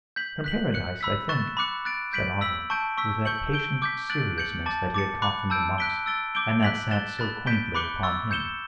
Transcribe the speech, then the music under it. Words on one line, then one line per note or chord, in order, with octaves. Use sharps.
"From paradise, I think," said Otto, with that patient seriousness that he had caught from the monks, and that sat so quaintly upon him.
G6 B6 F#7
F#6 B6 F#7
F#6 C#7 F#7
B5 E6 B6
C#6 F#6 A6 E7
B5 D6 F#6 C#7
F#6 A6 D7
G6 B6 D7 F#7
E6 B6 F#7
A5 C#6 G6 D7
C#6 E6 B6
C#6 G6 C#7 F#7
G6 D7 G7
D6 G6 B6
F#6 A6 D7 F#7
G6 C#7 F#7
A5 D6 A6
D6 A6 C#7
B5 D6 F#6 C#7
A5 E6 G6 D7
F#6 B6 D7 G7
E6 A6 D7 G7
D6 G6 D7 G7
F#6 B6 F#7
F#6 A6 E7 G7
B5 F#6 A6
G6 B6 D7 G7
B5 D6 F#6 C#7 G7
C#6 E6 A6
G6 C#7 E7 G7